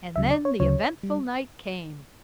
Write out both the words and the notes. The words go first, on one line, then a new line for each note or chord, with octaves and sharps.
And then the eventful night came.
D2 C#3 F#3 E5
D5
C#5
D2 C#3 F#3 C#5
G3